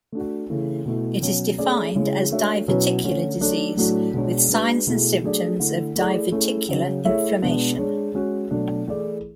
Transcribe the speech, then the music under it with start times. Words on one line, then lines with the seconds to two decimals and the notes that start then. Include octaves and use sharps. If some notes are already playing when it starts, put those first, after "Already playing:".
It is defined as diverticular disease with signs and symptoms of diverticular inflammation.
0.12 A3 D4 F#4
0.50 C#3 E3 A3
0.86 B2 A3 E4
1.22 B2 F#3 C#4
1.58 A3 C#4 G#4 D5
1.95 C#3 G#3 C#4 E4
2.31 A3 D4 F#4 C#5 E5
2.68 B2 F#3 C#4 E4 B4
3.04 D3 A3 C#4
3.41 F#3 A3 D4 A4 C#5
3.77 A2 F#3 A3 D4 F#4
4.14 B2 G#3 D4 G#4 C#5
4.50 G#3 D4 F#4 B4
4.87 B2 A3 E4 G#4
5.23 F#3 A3 D4 G#4 D5
5.60 D3 A3 E4
5.96 A3 E4 G#4 D5
6.32 A3 C#4 E4 G#4
6.68 C#3 F#3 C#4
7.05 A3 E4 G#4 C#5 E5
7.42 B2 G#3 B3 D4
7.78 G#3 D4 G#4 C#5
8.15 G#3 C#4 F#4
8.51 B2 F#3 A3 D4
8.88 E3 A3 E4 G#4 D5